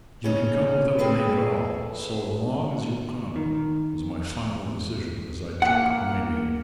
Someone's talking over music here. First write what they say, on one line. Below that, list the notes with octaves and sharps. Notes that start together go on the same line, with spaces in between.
"You can come without a name at all, so long as you come," was my final decision as I took my leave.
C#3 C#4 D#4
C4 E4 G#4 A4 B4
D#3
A#3 F#5